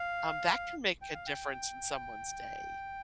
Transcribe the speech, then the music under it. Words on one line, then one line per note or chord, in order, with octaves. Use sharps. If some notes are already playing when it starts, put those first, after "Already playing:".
um, that can make a difference in someone's day.
Already playing: F5
G5
F5
G5